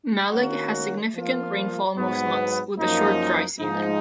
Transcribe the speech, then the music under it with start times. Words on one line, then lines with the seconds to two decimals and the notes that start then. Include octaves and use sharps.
Mallig has significant rainfall most months, with a short dry season.
0.32 D#3 A#3 C#4 F#4
1.14 F3 A#3 F4
1.97 G#2 F#3 B3
2.78 F#2 F3 A#3 D#4
3.60 G#2 F3 G#3 D#4